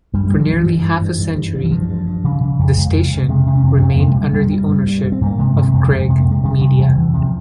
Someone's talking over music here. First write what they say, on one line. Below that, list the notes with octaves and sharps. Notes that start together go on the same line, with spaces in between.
For nearly half a century, the station remained under the ownership of Craig Media.
G2 G3
G2 G3
F3
G2 E3
G2
G2
G2
G2
G2
G2
E3
G2 F3
G2
G2
C#3
C#3
F2
F2 G#3
C#3
C#3
C3 G#3
C3
C#4
F2 C4
F2 C#4
C3 A#3
G#3
C3 G3
G2 G3
G2
G2
G2
G2
C4
G2 A#3
C3 G#3
C3
F2
F2
C3
A#3
C3 G#3
C3 G3
C3
E2
E2 E3
C3
F3